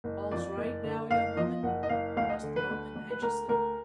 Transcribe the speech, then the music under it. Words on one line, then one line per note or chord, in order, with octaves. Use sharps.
"All's right now, young woman?" asked the boatman, anxiously.
F#1
F2 D5
F#1
D3
F#1 F5
F3 D#5
F#1 F#5
D#5
F#1 F5
D2 F5
D#5
D3
B4
D2
D2
B4
D2 A#4
D2 A#4